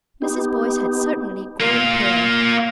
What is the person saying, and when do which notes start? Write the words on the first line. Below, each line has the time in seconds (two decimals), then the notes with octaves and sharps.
Mrs. Boyce had certainly grown pale.
0.22 B3 D#4 G4
1.60 A#3 F4